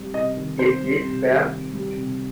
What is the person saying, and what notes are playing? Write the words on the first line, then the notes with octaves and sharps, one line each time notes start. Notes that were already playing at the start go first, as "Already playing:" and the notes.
Is this fair?
Already playing: G3 C4
C3 D#5
D#3
C4 C5
G3
C3
D#3
C4
G3
C3